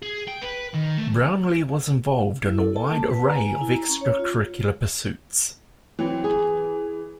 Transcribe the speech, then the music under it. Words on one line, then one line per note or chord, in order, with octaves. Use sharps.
Brownlee was involved in a wide array of extracurricular pursuits.
G#4
G5
B4
D#3
A3
E4
A4
A5
A#3
B4
A#5
G#5
E4
A#5
C#4
C#5
F4
E3 F#3 C4
G#4